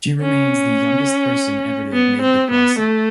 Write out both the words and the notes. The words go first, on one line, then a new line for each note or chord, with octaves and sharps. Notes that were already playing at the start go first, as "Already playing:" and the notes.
She remains the youngest person ever to have made the crossing.
C#4
B3
C4
B3
A3